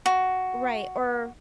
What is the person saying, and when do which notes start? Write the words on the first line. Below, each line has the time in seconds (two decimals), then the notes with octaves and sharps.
Right, or
0.06 F#4